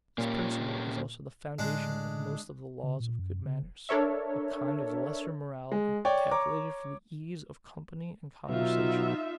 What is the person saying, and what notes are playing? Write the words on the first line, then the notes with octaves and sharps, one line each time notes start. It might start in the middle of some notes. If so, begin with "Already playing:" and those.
This principle is also the foundation of most of the laws of good manners; a kind of lesser morality, calculated for the ease of company and conversation.
A#2 A#3 C#4 G4
A2 D3 G#3 D4
C#3
A#2
F#2
C#3
E1
D4 A4 A#4 C#5 E5
G#3
C#5 D5 G5
C#5 A#5 D6
B2 F#3 D#4 F4 E5